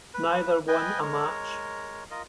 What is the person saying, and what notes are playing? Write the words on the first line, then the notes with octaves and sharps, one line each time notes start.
Neither won a match.
B4
B4 D#5 G5 G#5
G#3 A#4 C#5
F4 A#4 D#5